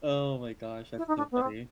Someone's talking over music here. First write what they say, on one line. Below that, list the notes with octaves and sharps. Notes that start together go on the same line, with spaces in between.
Oh my gosh, that's so funny.
E4
D#4
D4
B3
C4